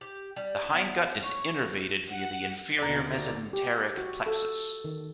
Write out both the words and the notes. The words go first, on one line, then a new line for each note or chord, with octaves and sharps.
The hindgut is innervated via the inferior mesenteric plexus.
G4
G3
B3
C#5
F#5
D#2 B2 D3 D5 A#5
G4
F#4
A4
D#3